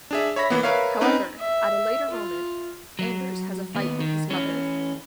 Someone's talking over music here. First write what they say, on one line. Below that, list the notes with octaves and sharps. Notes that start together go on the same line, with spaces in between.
However, at a later moment, Anders has a fight with his mother.
D4 G#4 E5
C#5 E5 B5 A#6 B6
E3 A#3 B3
A#4 B4 C#5 E5 F5
C4 C#4 D#4 B4
E5
F4
F#3
D#2 B3
D#3
E3 C#4